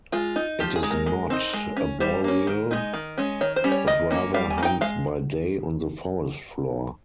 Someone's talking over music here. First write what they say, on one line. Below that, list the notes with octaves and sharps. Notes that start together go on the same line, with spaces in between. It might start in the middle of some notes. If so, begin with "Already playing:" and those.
It is not arboreal, but rather hunts by day on the forest floor.
G#3 F4
D#4
F3 G4
G#4
G#3 D#4
A#4
G#3
C4 D#4
G#3
C#4
G3 C5
A#3 C#4
D#3
G#3 D#4
D#3
G#3 C#4
D#3 C#5
C5
G3 C#4
C#5
D#3 D#5
A#3 C#4
G3 F5
G#5
A#3
D#4 G5
G#3 F5